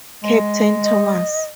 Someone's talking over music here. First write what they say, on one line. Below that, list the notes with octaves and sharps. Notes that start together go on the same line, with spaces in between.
Captain Thomas?
G#3
D#5